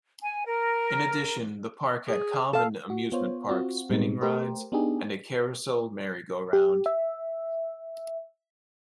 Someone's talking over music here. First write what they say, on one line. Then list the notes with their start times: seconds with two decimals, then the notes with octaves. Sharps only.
In addition, the park had common amusement park spinning rides and a carousel merry-go-round.
0.23 G#5
0.46 A#4
2.08 G#4
2.53 A4 F5 A5
2.90 F#4
3.12 B3 F4 C5 C#5
3.49 C4 F4 F#4
3.90 A2 G3 G#3 B3 C4 D#4
4.21 A3 G4 A#4 C5
4.72 B3 D4 D#4 G4 G#4
6.53 G4
6.86 E5